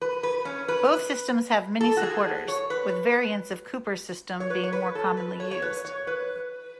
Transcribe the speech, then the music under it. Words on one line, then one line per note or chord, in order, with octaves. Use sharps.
Both systems have many supporters, with variants of Cooper's system being more commonly used.
B4
B4
C#4
B4
A4
F#4
G#4
C#5
B4
C#5
B4
C#5
B4
A4
B4
C#5
C#5
B4
C#5
B4